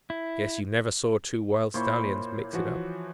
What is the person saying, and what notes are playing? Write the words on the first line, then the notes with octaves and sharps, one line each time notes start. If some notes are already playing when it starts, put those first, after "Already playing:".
"Guess you never saw two wild stallions mix it up."
E4
A#2 A#3 E4 C5 C#5 B5
E3 F3 F#4